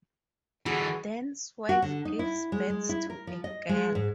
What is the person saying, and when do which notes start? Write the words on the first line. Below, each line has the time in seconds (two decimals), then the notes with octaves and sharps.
Dan's wife gives birth to a girl.
0.66 D3 E3 F#4 G#4 B4
1.69 F#4
1.82 D3
2.05 D#4
2.19 E4
2.52 G#3
2.70 G#3
2.89 E4
3.10 A#4
3.27 F3
3.44 D#5
3.69 G#3
3.95 G#2